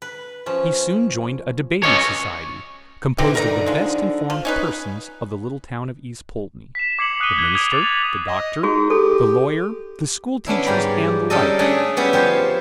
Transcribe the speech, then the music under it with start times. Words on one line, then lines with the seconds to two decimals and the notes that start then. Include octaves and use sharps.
He soon joined a debating society, composed of the best-informed persons of the little town of East Poultney,--the minister, the doctor, the lawyer, the schoolteachers, and the like.
0.02 B4
0.46 F3 C#4
1.83 C#4 C#5 D#5 A5
3.18 E3 C4 D#4 G4
3.35 D3 D#4 A#4 A#5
3.66 F3 G#3
4.30 F3
4.45 C#4 D#4 B4
6.75 B6 E7
6.99 D6 G#6 C7 C#7 E7 F#7
7.20 D#6 F#6 C7 C#7 D#7 G7
7.38 F#6 G#6
7.55 D#6 G#6 D7 D#7 F7 F#7
7.72 D6 D#6 A6 F7
8.27 D#5
8.63 D#4 F#4 G#4
8.90 G4 A4
10.46 B3 C#4 D4 E4
10.66 G#2 G3 G4 A#5 B5
11.30 G3 C#4 D4 A4 A#4 D#5
11.59 A3 C#4 D4 G#4
11.97 G3 B3 C#4 E4
12.13 F3 G4 C5 C#5